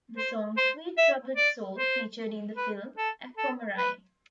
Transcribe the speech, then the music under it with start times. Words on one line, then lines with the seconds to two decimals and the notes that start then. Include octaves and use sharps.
The song "Sweet Troubled Soul" featured in the film "Aquamarine".
0.17 C5
0.57 C5
0.98 E5
1.37 D5
1.77 C5
2.57 B4
2.97 A4
3.37 A4
3.78 B4